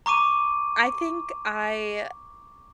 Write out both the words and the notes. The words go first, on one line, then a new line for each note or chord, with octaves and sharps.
I think I
A#5 C#6 D6 D#7